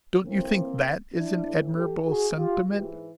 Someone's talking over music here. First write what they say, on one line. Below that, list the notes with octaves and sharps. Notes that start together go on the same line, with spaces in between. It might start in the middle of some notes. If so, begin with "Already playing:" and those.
"Don't you think that is an admirable sentiment?"
A2 E3 A#3 C4
D4 E4
A2 E3
G4 A4
F#4 G#4
F4 G4
G#2 E3 F4 G4